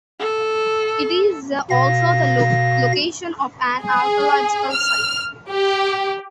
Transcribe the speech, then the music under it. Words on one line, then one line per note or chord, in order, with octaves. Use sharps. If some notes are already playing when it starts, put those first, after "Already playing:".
It is also the location of an archaeological site.
A4
B2 F5 A#6
G#4
F6
G4